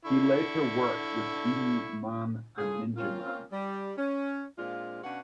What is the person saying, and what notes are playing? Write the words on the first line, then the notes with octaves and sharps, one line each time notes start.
He later worked with Beenie Man and Ninjaman.
D3 E4 C#6
A2 C#3 F4 G#4
A#3 C4 C#4 F4
G3
C#4
A#2 G#3 C4 D4 F4
B2 C#4 D4 F#4 F5 F#5